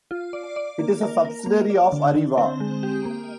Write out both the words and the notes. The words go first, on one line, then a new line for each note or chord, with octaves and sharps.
It is a subsidiary of Arriva.
F4
D5
D5
A#3
A#4
A#4
A#3
D5
D3
D3
C4
G#3
G4
A#3